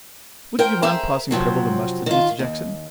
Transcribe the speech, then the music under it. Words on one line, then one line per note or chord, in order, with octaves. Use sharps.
Would you mind passing Prebble the mustard, Mr Jackson?'
A#4 C5 G5
G#4 C5 E5 A#5
F#2 C3 F3 F#3
D#3 F4
D#2